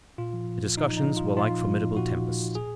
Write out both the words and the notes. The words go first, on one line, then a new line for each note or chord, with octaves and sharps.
The discussions were like formidable tempests.
A#2 F4
F3
F3
A#2
A#2 D#4
F3 D#4
F3
F4
A#2
A#2 F4
F3
F3
A#2
A#2 F#4
F3
F3
A#2
G#4